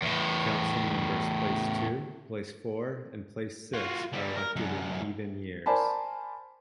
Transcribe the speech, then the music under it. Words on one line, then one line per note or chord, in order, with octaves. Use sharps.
Councilmembers place two, place four and place six are elected in even years.
E2 A2
F4 F#4
D3 G3
A#4
F#2 D3
A#4 C5 D5 G#5 A5 B5